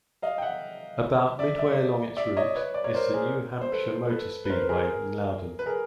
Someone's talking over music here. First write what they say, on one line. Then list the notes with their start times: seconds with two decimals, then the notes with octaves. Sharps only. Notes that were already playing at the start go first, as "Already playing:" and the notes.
About midway along its route is the New Hampshire Motor Speedway in Loudon.
0.22 D#5 F5
0.38 G5
0.42 E5 F#5
1.39 D5 E5
1.58 D5 E5
2.17 D5 E5
2.37 C#5 D#5
2.56 B4 C#5
2.74 D5
2.84 C#5
2.95 A#4 C5
3.13 G#4 A#4
3.61 C5
3.72 A4 B4
4.10 A4 B4
4.45 B4
4.50 A#4 C5
4.63 B4
4.69 G#4 A#4
5.59 B4
5.66 G#4 A#4